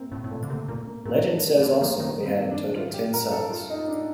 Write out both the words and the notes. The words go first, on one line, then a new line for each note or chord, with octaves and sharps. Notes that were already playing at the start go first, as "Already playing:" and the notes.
Legend says also they had in total ten sons.
Already playing: A#3 C4
A2 C4
A2
A#2 A3
D3
C3 A#3
A#2 A#3
A#3
A2 A#3
A3
D3 A3
F3 A#3
D#3 A#3
C4
D4
F4
G4
A#4
A4
F4
D#4
D4